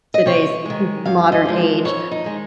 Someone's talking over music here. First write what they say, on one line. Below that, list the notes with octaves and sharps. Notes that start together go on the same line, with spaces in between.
today's m modern age,
D#5
C3 C#5
D#3 G#3
F#2 F5
D#5
F3 G#3
F2 C#5
D#4
D#3 G#3